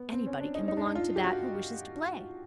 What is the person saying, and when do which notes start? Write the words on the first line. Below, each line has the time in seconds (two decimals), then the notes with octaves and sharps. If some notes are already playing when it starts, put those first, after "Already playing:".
Anybody can belong to that who wishes to play.
Already playing: B3
0.12 C4
0.26 C#4
0.40 D4
0.55 D#4
0.68 D#4
0.77 D4
0.86 D#4
0.95 F4
1.16 G4
1.23 F#4